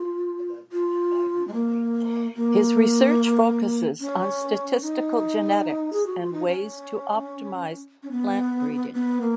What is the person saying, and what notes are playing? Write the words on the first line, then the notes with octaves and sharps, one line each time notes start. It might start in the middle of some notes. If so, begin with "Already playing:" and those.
His research focuses on statistical genetics and ways to optimize plant breeding.
Already playing: F4
F4
G#3
A#3
A#3
C#4
D#4
G#4
F#4
F4
D#4
C#4
C#4
B3
B3
A#3